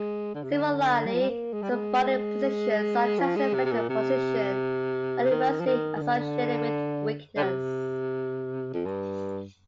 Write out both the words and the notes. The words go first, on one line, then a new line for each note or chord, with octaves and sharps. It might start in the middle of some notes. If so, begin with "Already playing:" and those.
Similarly, some body positions, such as the fetal position, are universally associated with weakness.
Already playing: G#3
D3
C3
D3
G3
F3
G3
A#3
G#3
G3
G#3
F3
G#3
C3
C3
A#2
C3
D#3
F3
D#3
D#3
D3
D3
C3
F2
G2